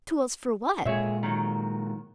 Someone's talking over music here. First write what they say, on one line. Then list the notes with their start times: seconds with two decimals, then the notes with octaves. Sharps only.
"Tools for what?"
0.86 A#2 G#3 G#4 C#5 E5
1.23 D#3 F#3